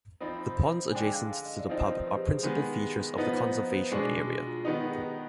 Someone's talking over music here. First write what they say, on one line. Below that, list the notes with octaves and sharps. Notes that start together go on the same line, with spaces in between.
The ponds adjacent to the Pub are principal features of the Conservation Area.
F3 C4 D#4 B5
G#5
D3 G#3 D4 G5
F5
F5
D#5
D5
F3 C4 D#4 D#5
B4
G4
G#4
G#4
D#3 G#3 B3 G4
G#4
G#4
F3 B3 D#4 B4
B2 G#3 D4 G#4
F4
D#3 B3 D#4 G4
B4
G#4
G4